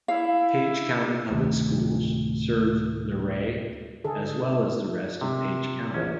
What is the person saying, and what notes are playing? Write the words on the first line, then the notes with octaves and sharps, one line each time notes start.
Page County Public Schools serve Luray, as well as the rest of Page County.
E4 F5
D1 C3 D#3 A3
D3 G#4 A4
D#4
C3
A#1 E3 C#4